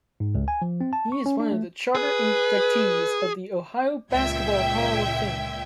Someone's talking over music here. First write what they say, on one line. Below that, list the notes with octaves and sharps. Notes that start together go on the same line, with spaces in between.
He is one of the charter inductees of the Ohio Basketball Hall of Fame.
G#2
C#2
G#5
F3
C4
A5
C#6
C#4
D4
A3
G#4 B4
C#2 A#2 E5 G5 G#6